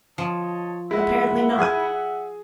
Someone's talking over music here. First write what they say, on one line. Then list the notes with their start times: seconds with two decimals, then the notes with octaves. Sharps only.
Apparently not.
0.18 F3 C#5 D#5 A5
0.91 G#3 E4 E5 F#5
1.59 G#4 G#6 D#7